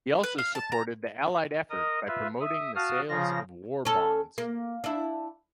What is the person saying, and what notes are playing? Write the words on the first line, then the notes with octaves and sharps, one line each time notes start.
He also supported the Allied effort by promoting the sales of war bonds.
B4
F5
A5
A#5
A#4 D#5 D#6
F4 B4 E5
E5 D#6
F#4 F5 A5 D#6 F6
C#3 F3 F4 A#6
C#4 A4
A#3
D4 E4